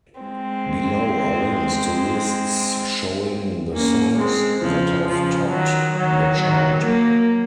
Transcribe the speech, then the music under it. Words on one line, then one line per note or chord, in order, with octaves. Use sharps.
Below are links to lists showing the songs that have topped the chart.
G#3 C4
A#3 C#4
G#3 C4
C#3 F3
C#3 F3
D#3 F#3
D#3 F#3
D#3 F#3
F#3 A#3